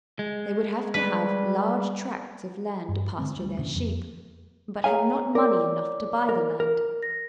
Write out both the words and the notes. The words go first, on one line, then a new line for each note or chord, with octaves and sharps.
They would have to have large tracts of land to pasture their sheep, but had not money enough to buy the land.
G#3
G3 B4
G2
D3 G#3 C4
D2 G3
E2 G2 A#2 C#3
F2
G#4 C#5 F5 G#5 A#5
A#4 C#5 D5 D6
A#4
A#4
A#6